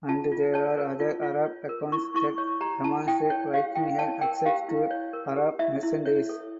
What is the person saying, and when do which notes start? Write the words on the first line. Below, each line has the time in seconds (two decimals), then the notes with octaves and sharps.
And there are other Arab accounts that demonstrate Vikings had access to Arab merchandise.
0.09 F4 A5
0.32 F4
0.54 C#5 A5
0.77 A#4
1.00 F4
1.23 F4
1.46 C#5
1.69 A#4
1.92 E4 C#6
2.15 E4 C#6
2.38 C#5
2.61 G4 A#5
2.84 E4 A5
3.07 E4 G5
3.30 C#5
3.54 G4 F5
3.75 E4 G5
3.98 C#5 A5
4.21 A#4 G5
4.46 G4 F5
4.69 E4
4.91 C#5
5.13 A#4
5.36 G4
5.59 E4 E5
5.83 E4
6.05 C#5
6.29 A4